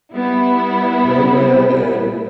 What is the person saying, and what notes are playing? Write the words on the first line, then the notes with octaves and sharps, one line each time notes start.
Rain Man and
G3 B3 E4